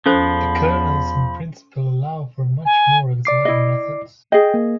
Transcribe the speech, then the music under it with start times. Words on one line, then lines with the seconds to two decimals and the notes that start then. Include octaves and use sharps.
The kernels in principle allow for much more exotic methods.
0.06 E2 F3 C#4 A4 C5 B5
2.65 G#5
3.25 D5 D6 C7
3.45 E4 D#5
4.32 G#4 D#5 G5
4.54 A#3